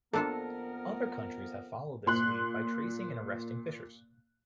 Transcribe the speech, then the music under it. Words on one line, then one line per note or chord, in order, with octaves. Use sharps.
Other countries have followed this lead by tracing and arresting phishers.
F2 A#3 B3 D4 F4 A4 A#4
A#2 C6 F#6